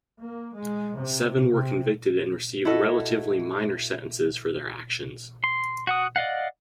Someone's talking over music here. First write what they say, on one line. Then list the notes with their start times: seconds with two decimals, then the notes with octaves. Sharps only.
Seven were convicted and received relatively minor sentences for their actions.
0.19 A#3
0.54 G#3
0.96 C3
1.50 C3
2.65 E4 F#4 A4 D#5
5.44 C6
5.87 F#4 F#5 D#6
6.16 D5 D#5 F5 F#5